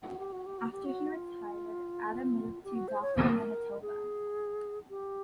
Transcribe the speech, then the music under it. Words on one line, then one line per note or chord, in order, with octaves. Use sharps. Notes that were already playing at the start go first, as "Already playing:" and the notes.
After he retired, Adam moved to Dauphin, Manitoba.
F#4
G4
F#4
G4
F#4
G4
F#4
F4
G4
F#4
C5
C#5
C5
A#4
G#4
G4